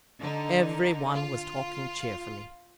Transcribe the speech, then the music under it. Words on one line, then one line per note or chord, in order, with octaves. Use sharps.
Every one was talking cheerfully.
D3 D#4
F4